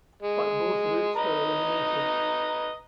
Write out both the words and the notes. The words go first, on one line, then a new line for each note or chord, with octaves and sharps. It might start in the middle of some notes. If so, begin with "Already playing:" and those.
But both routes were eliminated.
G#3
B4 D#5 A#5